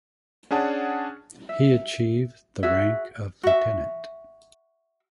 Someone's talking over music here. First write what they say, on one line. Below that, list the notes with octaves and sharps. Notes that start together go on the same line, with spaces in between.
He achieved the rank of lieutenant.
C#4 D4 G#4 F#5 A5
E5
F#4 G#4 E5
F#4 E5